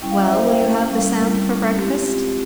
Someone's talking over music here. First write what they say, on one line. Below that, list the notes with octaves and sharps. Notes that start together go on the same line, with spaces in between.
"Well, will you have the samp for breakfast?"
G3 C#4 E4 G5
F5
E5
A#3 E4 C5
G5
F5
A#3 C#4 E4
G3 A#3 C#4
G3 C4 E4 A#4
G3 C#4 E4
G#3 C4 E4 G4
G#3 C4 F4 G4